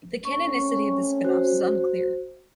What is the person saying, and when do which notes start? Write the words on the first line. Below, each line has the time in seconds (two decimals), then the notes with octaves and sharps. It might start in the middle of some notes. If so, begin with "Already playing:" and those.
The canonicity of the spin offs is unclear.
0.25 A3 C4 C#4 C#6
1.24 F#4 C5